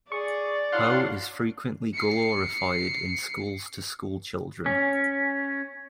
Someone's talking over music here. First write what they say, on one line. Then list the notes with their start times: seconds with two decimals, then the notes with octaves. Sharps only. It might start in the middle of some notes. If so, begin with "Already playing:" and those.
Ho is frequently glorified in schools to schoolchildren.
0.12 G#4 D5 C#6
0.73 F#3 D4 E4 F5 F#5 C6
1.93 C7 C#7
4.66 C#4